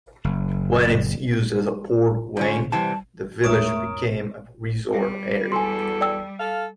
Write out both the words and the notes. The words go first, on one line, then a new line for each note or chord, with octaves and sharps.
When its use as a port waned, the village became a resort area.
F#1
G#2 D3 C#4 F4
C3 E3 G3 C4 A5
E2 G#2 A3 A#4 C#5 A#5 D#6 D7
G3
E2 F#4 A4 G#5 C6
D5 G5 E6
A4 F5